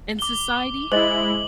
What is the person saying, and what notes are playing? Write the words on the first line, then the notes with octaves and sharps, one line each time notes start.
in society.
D6 G7
G#3 E4 C5 D#5 F#7